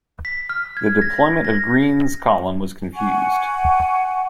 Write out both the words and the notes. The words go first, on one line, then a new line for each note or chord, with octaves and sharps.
The deployment of Greene's column was confused.
B6
F6
G#6
A#6
A#6
F#5 G#5 C#6